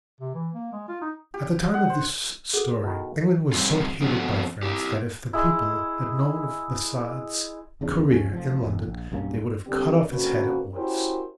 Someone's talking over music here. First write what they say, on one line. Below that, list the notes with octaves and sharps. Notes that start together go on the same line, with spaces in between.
At the time of this story England was so hated by France that if the people had known of Barsad's career in London they would have cut off his head at once.
C3
E3
A#3
G#3
F4
D#4
G4
F#5
C5
F#4 G#4 A4
B2 D#3 E4
D#3 G3 C4 F4
F3 B3 C4 D4 F#4 A4
E4 G4
G#3 E4
D1 E2 C#3 D4
D#2 F3 G#3 C#4
F1 F3
E1
A#1
B1 G2 A#3 C#4
A#2 D3 G3 C4 G4
D3 A#3 C4 C#4 F#4 B4
C#4 E4 F#4 G4 A#4 C5